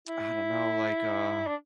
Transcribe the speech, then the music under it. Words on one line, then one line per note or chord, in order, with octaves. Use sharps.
I don't know, like, uh
E4
D4